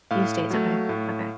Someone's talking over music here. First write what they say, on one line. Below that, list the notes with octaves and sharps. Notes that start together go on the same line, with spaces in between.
Few states, okay, okay.
A2 F5
F#3 A3
A2